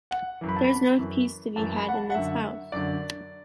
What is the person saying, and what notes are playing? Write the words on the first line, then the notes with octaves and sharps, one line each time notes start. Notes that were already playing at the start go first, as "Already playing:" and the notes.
There’s no peace to be had in this house!
F#5
F#2 E3
B5
A5
B5
F#2 E3
F#2 E3 A5
B5
F#5
A5
F#5
F#2 D3 E5
F#2 D3 D5